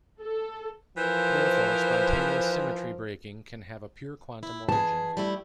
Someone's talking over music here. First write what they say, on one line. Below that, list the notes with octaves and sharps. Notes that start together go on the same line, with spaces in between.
Therefore spontaneous symmetry breaking can have a pure quantum origin.
A4
E3 F3 A#4 C5
E4
E3 G#4 A5
G3 A3 E4